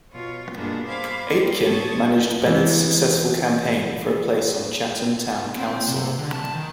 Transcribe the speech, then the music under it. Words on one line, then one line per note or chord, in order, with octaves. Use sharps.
Aitken managed Bennett's successful campaign for a place on Chatham Town Council.
B2 F4 C#5
G2 B2 G#3 A#3 B3 D4
C5 F5 B5 D6 G#6
A#3 C4 D#4 G4
A5 C#6 D#6 G#6
E3 G#3
C4
C3
D3
A5
D#3